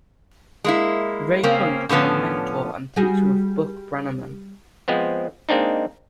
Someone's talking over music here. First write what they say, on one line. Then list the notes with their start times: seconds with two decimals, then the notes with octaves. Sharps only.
Ray Hunt was a mentor and teacher of Buck Brannaman.
0.64 G#3 A#3 E4
1.43 C#3 A#3 C4 C#4
1.89 A2 D3 F3 B3 C#4
2.96 G3 F#4 G#4
4.88 F3 G#3 B3 C4
5.49 G#3 A#3 C4 D4 D#4